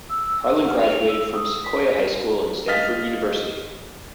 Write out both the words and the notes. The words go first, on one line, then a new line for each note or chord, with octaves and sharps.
Harlin graduated from Sequoia High School and Stanford University.
E6
F#5
F6
F7
E6
D#6
B6
D#5 F5 F6 A6 B6